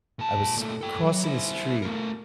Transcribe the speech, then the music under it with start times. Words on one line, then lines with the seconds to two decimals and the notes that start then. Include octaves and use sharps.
I was crossing the street
0.19 A#2 A5
0.57 A#2 A3
0.81 A4 G5
1.03 F#3
1.24 E4 C5
1.82 A3 A#4